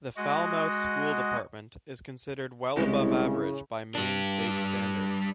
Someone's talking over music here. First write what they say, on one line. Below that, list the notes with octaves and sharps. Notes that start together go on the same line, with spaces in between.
The Falmouth School Department is considered well above average by Maine state standards.
G#3 F#4 D#5 F#5
C2 C#3 G#3 E4
G3 D4